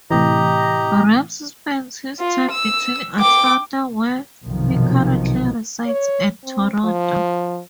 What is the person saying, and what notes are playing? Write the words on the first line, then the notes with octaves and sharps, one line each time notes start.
Rams spends his time between Atlanta, where he currently resides and Toronto.
A2 C3 E3 G4 D#5 A#5
F4
E6
G5 D6
B1 F#2 C3 D#3 F3
C#5
C4
F3